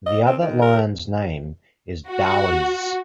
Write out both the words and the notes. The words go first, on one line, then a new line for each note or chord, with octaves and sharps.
The other lion's name is Daoiz.
D#5
C4
D#3
A#4
F#4